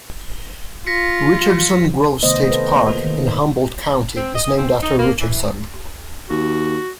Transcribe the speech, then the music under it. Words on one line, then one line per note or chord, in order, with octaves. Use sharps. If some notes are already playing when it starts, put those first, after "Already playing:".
Richardson Grove State Park in Humboldt County is named after Richardson.
F4 A#6 B6 C#7
C3 D#3 A3 B3 C5 D#5
A4 B4 C5
A#3
D#3
C4
D#5
C4
D#4
A#3
E3
D#2 F#4